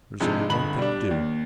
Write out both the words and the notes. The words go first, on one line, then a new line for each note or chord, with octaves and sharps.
There is only one thing to do.
G2 C3 F3 G#3 D#4
G1 B5 F#7
G3 D4
D#2